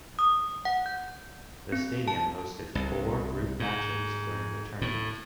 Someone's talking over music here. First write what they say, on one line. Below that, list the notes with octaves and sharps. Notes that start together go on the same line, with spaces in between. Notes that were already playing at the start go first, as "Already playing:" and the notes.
The stadium hosted four Group matches during the tournament.
D#6
F#5
G6
C4
A5
C2
G#2
A2